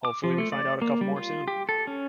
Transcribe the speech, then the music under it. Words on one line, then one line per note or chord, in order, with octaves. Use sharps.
hopefully, we find out a couple more soon.
D6
F3
A3
D5
A#3
G3
F4
G4
A4
C#4